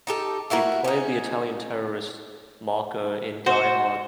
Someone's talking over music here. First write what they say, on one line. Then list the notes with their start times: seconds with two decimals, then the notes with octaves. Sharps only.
He played the Italian terrorist Marco in "Die Hard".
0.07 D#4 G4 A4
0.50 A3 E4 F#4 A#4
0.84 C#4 D#4
3.46 F#4 C5